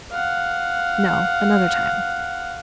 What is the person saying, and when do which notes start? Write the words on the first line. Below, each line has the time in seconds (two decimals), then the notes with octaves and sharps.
"No, another time."
0.11 F5 F#5